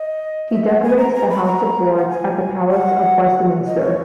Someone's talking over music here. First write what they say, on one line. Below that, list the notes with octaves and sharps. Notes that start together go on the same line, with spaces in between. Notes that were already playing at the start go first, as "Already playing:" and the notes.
He decorates the House of Lords at the Palace of Westminster.
Already playing: D#5
E5
F#5
G#5
A#5
A#5
B5
A#5
F#5
G#5
F#5
D#5
C#5